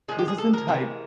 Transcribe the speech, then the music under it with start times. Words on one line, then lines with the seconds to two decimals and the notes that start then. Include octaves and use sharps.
This isn't hype.
0.08 A#2 F3 G#3 G#4
0.18 G4
0.28 G#4
0.38 A4
0.53 A#4
0.68 C3 E3 G#3